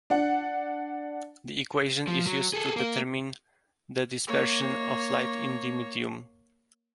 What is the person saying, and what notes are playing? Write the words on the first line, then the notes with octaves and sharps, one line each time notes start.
The equation is used to determine the dispersion of light in the medium.
D4 F#5
F3
F#3
G#4 A4
A#3 A#4
A#3 C#5